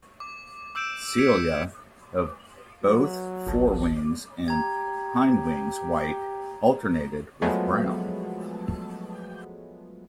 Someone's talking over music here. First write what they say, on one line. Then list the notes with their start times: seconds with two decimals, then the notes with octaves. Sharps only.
Cilia of both forewings and hindwings white, alternated with brown.
0.20 D6
0.75 D6 E6 G6 D7 E7
1.18 G#6 B6 C#7 D7 F7
2.85 F#3
3.47 G1 C2 A5
4.48 G4 A#5 G#6
7.42 F3 F#3 G#3 A3 B3